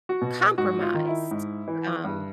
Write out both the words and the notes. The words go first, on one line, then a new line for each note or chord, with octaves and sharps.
compromised, um,
F#4
B2
G#2 F#4
F4
D#3
E4
G#2
E3
G2